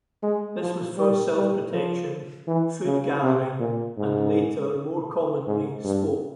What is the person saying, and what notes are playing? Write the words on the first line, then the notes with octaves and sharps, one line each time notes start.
This was for self-protection, food gathering, and later more commonly, sport.
G#3
F3
G3
G3
F3
E3
C#3
C3
A#2
G#2
G#2
G2